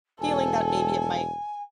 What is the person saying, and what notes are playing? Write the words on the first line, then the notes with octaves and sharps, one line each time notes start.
feeling that maybe it might
E1 A4 G#5